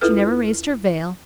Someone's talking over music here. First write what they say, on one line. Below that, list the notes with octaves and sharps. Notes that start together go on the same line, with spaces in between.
She never raised her veil.
D#2 E4 F4 A4 B4 F6